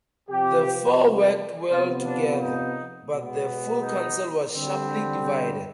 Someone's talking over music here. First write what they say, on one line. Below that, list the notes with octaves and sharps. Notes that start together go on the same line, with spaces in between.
The four worked well together, but the full Council was sharply divided.
C3 F3 C4 G4
C3 F3 B3 F4
D4
D#4
B2 G#3 B3
D#4
D3 G3 C4